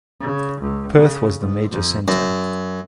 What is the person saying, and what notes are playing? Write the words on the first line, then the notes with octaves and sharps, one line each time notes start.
Perth was the major centre.
C#3
C#2
C#3
G#2
F2
F#2